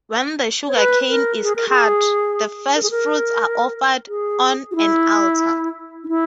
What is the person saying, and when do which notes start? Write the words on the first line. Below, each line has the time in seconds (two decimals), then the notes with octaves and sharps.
When the sugarcane is cut, the first-fruits are offered on an altar.
0.68 C#5
0.75 B4
1.09 A#4
1.43 G#4
1.56 A#4
1.68 G#4
2.75 A#4
2.83 G#4
2.91 A#4
4.08 G#4
4.71 F#4
4.75 E4
6.04 D#4
6.08 E4